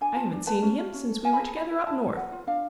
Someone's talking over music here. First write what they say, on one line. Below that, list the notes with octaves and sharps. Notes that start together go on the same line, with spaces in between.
I haven't seen him since we were together up North.
D4 G#5
F4 A5
D4
B4 A5
C#4
F4
C#4
A4
F4 G#5
B5
G#4 A5
F4 B5
B4
F4 A5
B4
B4 F#5
F4
D4 F5